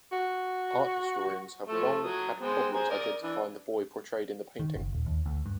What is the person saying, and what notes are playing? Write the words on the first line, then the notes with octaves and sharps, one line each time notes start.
Art historians have long had problems identifying the boy portrayed in the painting.
F#4
F3 A3 A4
F#3 D#6
G#3 B3 C4
G#4 C5 A#5
A#4 D5 D#6
E3 D4
D#3
F#1
D#1
D#2
D2
G2